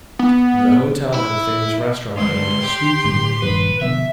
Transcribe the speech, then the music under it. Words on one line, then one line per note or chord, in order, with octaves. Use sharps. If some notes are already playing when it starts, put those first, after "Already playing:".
The hotel had a famous restaurant, named "Swee Kee".
B3
E4
D3 G#3 C6
G4
A2 D3
D#1 G2 F3 B4
B2 D3 F3 E5